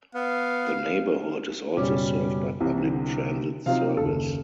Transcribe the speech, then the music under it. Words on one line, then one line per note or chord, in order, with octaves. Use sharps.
The neighborhood is also served by public transit service.
B3 F5
F#1 B2 G3 C#4 D6
C2 C3 E3
D3
C3 F#3 C4 D#4 F4 F5
F#1 D#2 A4